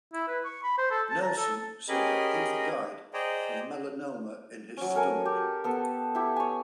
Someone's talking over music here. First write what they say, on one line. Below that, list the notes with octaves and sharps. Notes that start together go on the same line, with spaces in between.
Nelson said that Heath died from melanoma in his stomach.
E4
B4
C#6
B5
C5
A4
A5
A#5
A4
C#4 G4 G#4 A#4 D#5 B5
G#4 C5 D5 D#5 G5 A#5
F#3 C#4
A4 A#4 D#5 G#5
G4
B3 A4
E4 G4
C#5 G#5